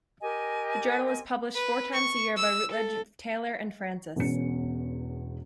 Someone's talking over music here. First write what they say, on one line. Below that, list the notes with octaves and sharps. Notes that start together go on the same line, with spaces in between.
The journal is published four times a year by Routledge Taylor and Francis.
G4 A#4 D#5 G#5
B4
C#6
E6
A4
E1 E2 C#4 C#7